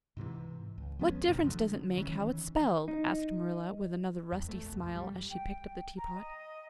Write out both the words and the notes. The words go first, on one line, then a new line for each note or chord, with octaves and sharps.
"What difference does it make how it's spelled?" asked Marilla with another rusty smile as she picked up the teapot.
G#2 C3 D#3 E3
C#2
F3 G#3 B3 C#4
F#2 C3 D#3 F#3
D3 F3 F#3 A3
D#3 E3 C4 C#4
D#4
E2
A3
B1
F2
G3
G5
A#5
D#5